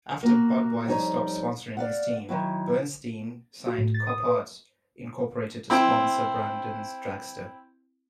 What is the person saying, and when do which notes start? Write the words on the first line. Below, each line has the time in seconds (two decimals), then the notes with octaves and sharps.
After Budweiser stopped sponsoring his team, Bernstein signed Copart Incorporated to sponsor Brandon's dragster.
0.23 A#3 F#4
0.87 F2 G3 D#4 C#5
1.77 D5 F5 F#5
2.29 D#3 F3 F#3 E4
3.67 F#4
3.78 A2
3.94 A6
4.07 D#6
4.26 B4
5.70 C4 E4